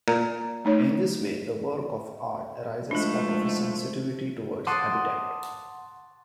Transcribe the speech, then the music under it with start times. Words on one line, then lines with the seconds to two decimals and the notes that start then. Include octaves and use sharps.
In this way the work of art arises out of a sensitivity towards habitat.
0.08 A#2 A#5
0.65 A3 D#4 C#5
2.91 G#2 D#3 F3 G#3 A3 D4 A4
4.67 F#5 A5 C6 D6 D#6